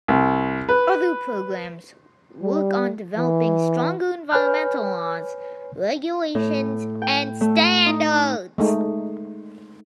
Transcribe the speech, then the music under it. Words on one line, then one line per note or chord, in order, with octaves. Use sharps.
Other programs work on developing stronger environmental laws, regulations, and standards.
C2
B4
G3
E3
B4 C#5 G#5 B5 F6 G6
A2
G5
A3
D#4
G#3 A3 D#4